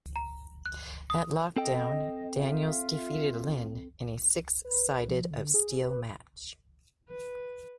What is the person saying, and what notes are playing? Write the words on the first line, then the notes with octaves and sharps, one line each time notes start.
At Lockdown, Daniels defeated Lynn in a Six Sides of Steel match.
A#5
F#6
D#6
C4 A4 D#5 G5
F4 E5
B4
F3
D3
G#4
B4
B4